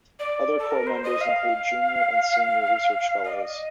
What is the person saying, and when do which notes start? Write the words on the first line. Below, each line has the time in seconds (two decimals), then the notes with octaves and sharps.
Other core members include Junior and Senior Research Fellows.
0.19 D5
0.59 A4
0.71 A#4
0.87 C5
1.04 D#5
1.21 F5
3.24 D#5
3.33 D5
3.40 D#5